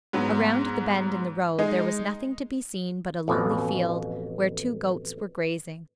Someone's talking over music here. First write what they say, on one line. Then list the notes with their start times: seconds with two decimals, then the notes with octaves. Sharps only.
Around the bend in the road there was nothing to be seen but a lonely field where two goats were grazing.
0.13 G#2 F#3 B3
1.59 G#3 D#4 G#4 D#5
3.28 A1 F2 B2